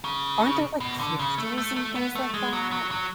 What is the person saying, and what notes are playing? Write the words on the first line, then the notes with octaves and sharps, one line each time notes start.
Aren't there, like, crystals and things like that?
C#3
B2
D3
C#3
A3
A3
A3
B3
A3
G#3
F#3
F#3
F#3